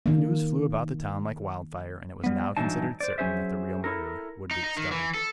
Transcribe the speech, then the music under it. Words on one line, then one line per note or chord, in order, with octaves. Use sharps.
The news flew about the town like wildfire, and it was now considered certain that the real murderer would be discovered.
D#3 A#3
G3 B3
G2 A#2 E3 F#3 D#4 A5
C5 D5
F#3 C#4 G#4 C5 E5
E4 A4 A#4
D#4
D#4
D#3
E3
A4